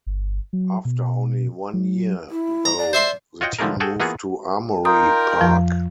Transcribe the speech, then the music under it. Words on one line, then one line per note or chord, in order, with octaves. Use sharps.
After only one year, though, the team moved to Armory Park.
G1
F#3
B2
F#3
E4
A#5
D5
C5 E5 C6
F4 F#4 C#5 D#5 F#5 G5
D3 F3 G3 A3 G#4 A#4
F#4 G#4 A4 G5
E3 A#3 B3 F4 F#4 G#4
D#4 F4 A#4 G5 D#6
F2 F3